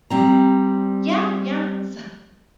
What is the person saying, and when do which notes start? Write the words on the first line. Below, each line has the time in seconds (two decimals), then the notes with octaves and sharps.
Yeah, yeah, so
0.10 G3 C4 A#5